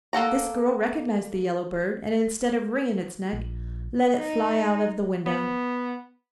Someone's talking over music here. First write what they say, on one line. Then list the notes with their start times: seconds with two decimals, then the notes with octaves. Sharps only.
This girl recognized the yellow bird, and instead of wringing its neck, let it fly out of the window.
0.13 A#3 A4 F#5 A#5
3.33 A#1
4.18 D#4
5.26 B3